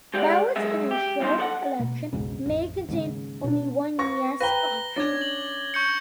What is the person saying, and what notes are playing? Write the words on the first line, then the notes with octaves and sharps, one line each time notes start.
Ballots in a show election may contain only one "yes" option.
G#3 G4 D5 F5 F#5
F#2 G#3 G#4 E5
G4
E2 G2 F3 D#4 C5
A4 D5 F#5
B2 A#3
B1 F2 G#2 C#3
A1 F2
D#2 G#2 C#3
B2 D4
B4 C#6 A#6
B4 G5 A#5 A#6 G7
C#4 D4 G#6 A6
F#7
C#6 G6 C#7